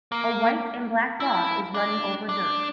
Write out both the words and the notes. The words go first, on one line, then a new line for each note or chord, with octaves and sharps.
A white and black dog is running over dirt.
A#3
E4
D4
D4